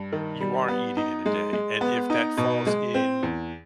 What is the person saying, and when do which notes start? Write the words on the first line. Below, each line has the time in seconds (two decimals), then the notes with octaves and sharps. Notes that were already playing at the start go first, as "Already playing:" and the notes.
you are eating in a day. And if that falls in
Already playing: G2
0.12 D#3
0.40 G3
0.68 B3
0.97 D#4
1.26 G#3
1.53 G#3
1.81 B3
2.10 D#4
2.37 B2
2.67 G#3
2.94 C4
3.23 E2